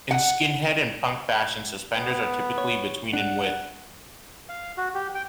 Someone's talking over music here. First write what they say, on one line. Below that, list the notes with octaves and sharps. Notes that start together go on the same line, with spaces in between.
In skinhead and punk fashion, suspenders are typically between in width.
F#5
B3
C#5
D4 F#5
F5
F#4
G4
G5